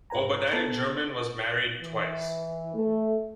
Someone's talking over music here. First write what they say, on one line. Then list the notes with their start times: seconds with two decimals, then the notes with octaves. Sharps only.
Obadiah German was married twice.
0.10 G#2 F4 B4 G#5 A#5
0.51 B3 A4 A#4
1.81 E3
2.74 A3